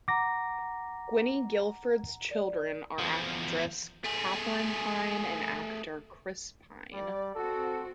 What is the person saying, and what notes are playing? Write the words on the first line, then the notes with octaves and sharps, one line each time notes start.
Gwynne Gilford's children are actress Katherine Pine and actor Chris Pine.
F#5 A#5 D6 A#6
D5
E2 F3
A3 G#4
G3 D5
C4 F#4 A4